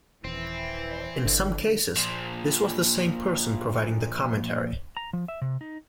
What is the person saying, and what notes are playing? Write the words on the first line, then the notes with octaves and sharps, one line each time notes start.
In some cases, this was the same person providing the commentary.
D#1 E3 C4
G1 D3
A#2 F3
A#5
F3
E5
C3
D#4